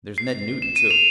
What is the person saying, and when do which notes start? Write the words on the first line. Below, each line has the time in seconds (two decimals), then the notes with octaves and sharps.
There's Ned Newton, too.
0.18 C7
0.62 E7
0.76 D#7
0.91 F7